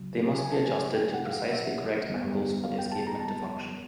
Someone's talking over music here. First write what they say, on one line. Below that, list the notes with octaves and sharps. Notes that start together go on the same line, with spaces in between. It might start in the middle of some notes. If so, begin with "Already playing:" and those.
They must be adjusted to precisely correct angles for the escapement to function.
Already playing: C#2 C#3 F#3
G#5
A5
G#5
G5
F#5
F5
F#5
E5
F2 D3 G3 B3
F5
G5
A5
A#5
A5